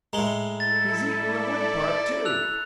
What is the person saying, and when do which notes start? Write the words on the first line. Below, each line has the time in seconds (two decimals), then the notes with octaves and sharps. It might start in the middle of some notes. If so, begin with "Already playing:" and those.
He's eatin' the wood part, too!
0.13 A2 G#3 A#5 G7
0.60 E4 A4 A6
1.21 D5
2.25 E6 F#6 F7